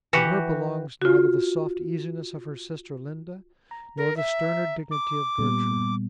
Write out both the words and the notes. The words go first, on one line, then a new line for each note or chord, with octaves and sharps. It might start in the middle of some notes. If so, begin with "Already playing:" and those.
To her belongs neither the soft easiness of her sister Linda nor the sterner dignity of Gertrude.
E3 F#4 G4
F4 F#4
A#5
A#4
E5
D6
A#2 G3 B3